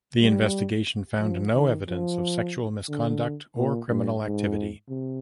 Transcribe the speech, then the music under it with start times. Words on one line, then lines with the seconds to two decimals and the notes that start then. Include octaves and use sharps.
The investigation found no evidence of sexual misconduct or criminal activity.
0.21 G3
1.21 F3
1.54 D#3
1.88 F3
2.89 D3
3.56 A#2
3.88 G2
4.22 G#2
4.89 C3